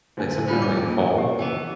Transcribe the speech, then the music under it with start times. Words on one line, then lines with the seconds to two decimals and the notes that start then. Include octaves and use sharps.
like some kinda, like, call,
0.17 D2 D3 G#5
0.48 G3 C#4 F4 C5
0.62 D6
0.77 D#2 A#2
1.18 G4
1.39 C#3 E3 B3 G5